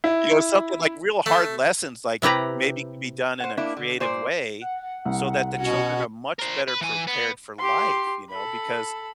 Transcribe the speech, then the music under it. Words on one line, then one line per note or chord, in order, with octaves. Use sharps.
You know, something like real hard lessons, like, maybe could be done in a creative way, so that the children are much better prepared for life, you know, because
E4
A3
C3 E4 G4 B4 A#5
C5 F#5
A#3 D4 E4
D3
A#2 C5 D5
F#5
C2
B2 C#4 F#4
A#4 C5
B4
E3 G#5
B3
G4 C6
A4 B5